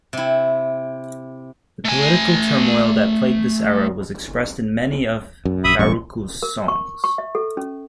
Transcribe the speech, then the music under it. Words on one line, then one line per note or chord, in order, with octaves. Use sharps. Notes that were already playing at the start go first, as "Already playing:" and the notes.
The political turmoil that plagued this era were expressed in many of Buarque's songs.
C3 E4
A3 G#5
F#2
A#1 E5 B5 D#6
E1 A1 E3 G3 C#6
A#4
C#6
C#6
E5
A4
C#4